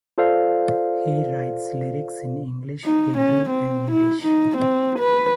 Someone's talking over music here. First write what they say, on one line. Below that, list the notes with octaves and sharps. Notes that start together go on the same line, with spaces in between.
He writes lyrics in English, Hebrew, and Yiddish.
F4 A4 C5 D5 F5
D#4
C#4
C4
E4
D#4
C4
B4